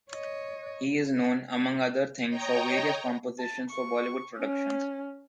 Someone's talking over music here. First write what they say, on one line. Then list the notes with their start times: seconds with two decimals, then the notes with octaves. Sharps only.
He is known, among other things, for various compositions for Bollywood productions.
0.11 C#5 D#5
2.30 C#5 D#5 G5 A#5
3.39 A5
3.70 C#6
4.38 C#4